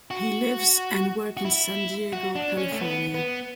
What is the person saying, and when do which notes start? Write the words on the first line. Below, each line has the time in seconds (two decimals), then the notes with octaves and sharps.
He lives and works in San Diego, California.
0.11 F#4
1.37 F#4
1.45 E4
2.13 F#4
2.36 D4
2.57 C#4
2.72 A3
2.80 B3
3.14 B3